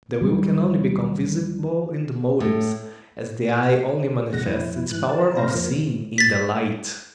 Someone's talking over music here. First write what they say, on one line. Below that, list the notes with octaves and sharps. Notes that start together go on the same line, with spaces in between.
The will can only become visible in the motives, as the eye only manifests its power of seeing in the light.
D#2 F#3 G3
A2
E2 C3 G#3 F#5 A#6
F2 E4
G#2 E3 F#6
A#4 A5
C3 C5 F5 A#6
F2 F3 A#3
A6 B6